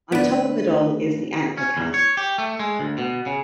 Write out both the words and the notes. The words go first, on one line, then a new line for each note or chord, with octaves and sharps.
On top of it all is the anther cap.
D2 B3 B4 D5
C#4
E2
C#5
G4
A3
G#3
D2
B2
C#3